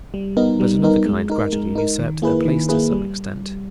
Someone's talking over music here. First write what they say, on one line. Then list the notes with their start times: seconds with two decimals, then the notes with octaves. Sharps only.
But another kind gradually usurped their place to some extent.
0.14 G3
0.37 B3 D#4 A#4
0.60 G3
0.83 B3 D#4 A#4
1.06 G#3
1.30 D#4 A#4
1.53 G#3
1.75 D#4 A#4
1.99 D#3
2.22 A#3 E4 G#4 B4
2.45 D#3
2.69 A#3 E4 G#4 B4
2.91 G3